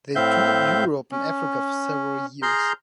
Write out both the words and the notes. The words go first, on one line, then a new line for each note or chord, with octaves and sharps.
They toured Europe and Africa for several years.
A2 C4 E5 F5 G6
C#4
G#4 A#5 C6 F6 G6